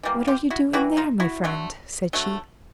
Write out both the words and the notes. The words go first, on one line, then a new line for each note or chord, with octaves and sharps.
"What are you doing there, my friend?" said she.
E3 G3 A#3
F4 G4
E4 F#4
E3 G3 A#3 E4 F#4
D#4 F4
E4 F#4
D3 F#3 A3
D3 F#3 A3